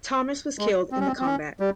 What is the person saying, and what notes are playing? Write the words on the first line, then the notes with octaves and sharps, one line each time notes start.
Thomas was killed in the combat.
G#3
C4
C#4
C4
C4
C#4
G3